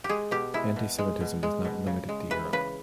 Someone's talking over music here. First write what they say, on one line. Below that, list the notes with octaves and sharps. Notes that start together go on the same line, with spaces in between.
Anti-Semitism was not limited to Europe.
G4
G#3 G#4
B2 G4
G#3 E4
B2
G#3
B2
G#3
B2
C#3
G#3
E3 B4
C#3 B4